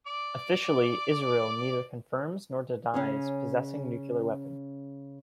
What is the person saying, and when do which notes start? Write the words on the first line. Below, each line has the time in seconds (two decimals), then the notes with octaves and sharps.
Officially Israel neither confirms nor denies possessing nuclear weapons.
0.07 D5 D6
2.94 C#3 C#4 G#4